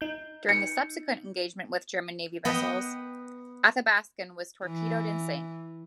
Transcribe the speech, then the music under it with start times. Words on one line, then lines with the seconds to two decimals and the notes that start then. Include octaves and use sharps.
During the subsequent engagement with German naval vessels, "Athabaskan" was torpedoed and sank.
0.01 D#4 G6
0.49 C#7
2.45 B3 B4 D#5 G5
4.65 E3